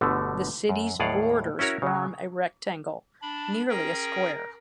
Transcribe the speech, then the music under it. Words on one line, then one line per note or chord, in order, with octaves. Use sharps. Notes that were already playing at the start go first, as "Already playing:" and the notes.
The city's borders form a rectangle, nearly a square.
G1 B2 D3 A3
F#2
D#2 A2 G#4 D5 F5 F#5
C#4 E4 F#4 A#4 C#5
C#3 F#3
D4 A5 B5
C#4 G#4 A#4 G5